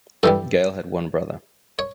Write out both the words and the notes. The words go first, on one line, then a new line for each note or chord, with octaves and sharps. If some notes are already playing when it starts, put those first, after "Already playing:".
Gale had one brother.
G2 E3 G3 A4
C#5